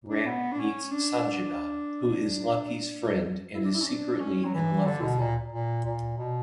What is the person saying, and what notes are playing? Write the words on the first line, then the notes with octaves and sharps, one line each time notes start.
Ram meets Sanjana, who is Lucky's friend and is secretly in love with him.
D4
B3
D4
C#4
D4
E4
D4
E4
C#4
D4
C#4
F#3
E3
D3
B2
A#2
A#2
A#2
B2